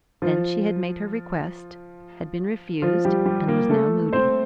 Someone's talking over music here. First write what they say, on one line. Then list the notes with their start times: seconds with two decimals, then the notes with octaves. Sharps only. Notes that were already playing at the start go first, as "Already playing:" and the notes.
Then she had made her request, had been refused, and was now moody.
0.22 F3 F4
2.82 F3 F4
3.05 G3 G4
3.26 G3 G4
3.48 A#3 A#4
3.70 A3 A4
4.13 C4 C5